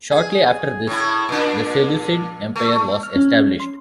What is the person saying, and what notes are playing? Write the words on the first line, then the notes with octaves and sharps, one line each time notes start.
Shortly after this the Seleucid Empire was established.
G#4
A2 E4
A#2 D4
A3
F6
C#4
C6